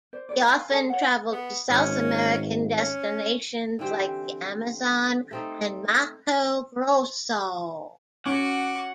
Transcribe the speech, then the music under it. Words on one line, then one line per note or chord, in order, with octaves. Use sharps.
He often travelled to South American destinations like the Amazon and Mato Grosso.
C5 D5
G#4 B4 C#5 D5
E4 G#5
F5 G#5
G#4 A4 D5 A5
C#5 F#5
B3
G#1 C#4
C#4
D3 E3 C4 G4
A3 C4 D#4
C#4 F#4 F#5 C#6 D6